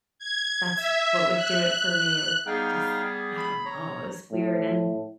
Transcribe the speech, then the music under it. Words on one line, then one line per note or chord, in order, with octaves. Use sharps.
that's what would do it for me, it would f just I don't know, it was weird, an
G#6
E5
F#6
G3 B3 D#4 G#4 F5 G5
B5
C#5 A#5
A2